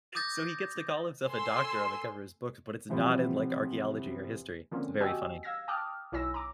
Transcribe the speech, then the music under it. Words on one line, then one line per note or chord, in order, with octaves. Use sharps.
So he gets to call himself a doctor on the cover of his books, but it's not in, like, archaeology or history, it's very funny.
D6 D#6 G6 A6 A#6
A4 G#5 C6 E6
C3 E3 F3 G3 B3 C4
D3 F3 A#3 C4 C#4
F#4 G4 D#5 G5 G#5 E6
F5 E6 G#6 A#6
G5 A5 D6 D#6 F6 F#6
B1 E4 C#5 G#5 E6 A#6
A#5 D6